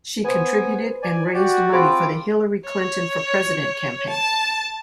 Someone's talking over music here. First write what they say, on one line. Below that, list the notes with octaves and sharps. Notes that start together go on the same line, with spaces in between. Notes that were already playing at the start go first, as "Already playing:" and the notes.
She contributed and raised money for the Hillary Clinton for President campaign.
B3 B4 C5 G#5
D5 G#5
F#4 G4 D5
C4 F4 G#4 C5 B5 D6
C#5
A5